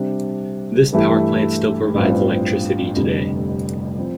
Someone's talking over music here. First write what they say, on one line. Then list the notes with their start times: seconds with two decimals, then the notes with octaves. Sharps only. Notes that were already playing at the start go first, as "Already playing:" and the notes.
This power plant still provides electricity today.
Already playing: C3 G3 D4
0.93 G2 E3 A3 E4 G4
1.94 A1 G2 F3 C4 F4
2.96 F1 F2 D3 G3
3.97 F3 C4